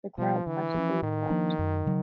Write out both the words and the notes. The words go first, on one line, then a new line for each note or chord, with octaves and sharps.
The crowd practically clapped!
B2 F3 G3
D3 E3
F3 A#3 C#4
A2 D#3
F3 A#3 D4
F#2
C#3 F#3